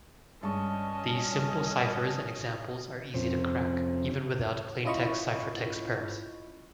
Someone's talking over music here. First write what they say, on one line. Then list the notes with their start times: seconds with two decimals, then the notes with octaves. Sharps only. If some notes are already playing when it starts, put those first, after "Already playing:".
These simple ciphers and examples are easy to crack, even without plaintext-ciphertext pairs.
0.43 G2 G#3 C#4 D#5 A5 C#6
3.14 F2 C3 C4 C#4
4.84 C#4 E4 F4 D#5 B5 C#6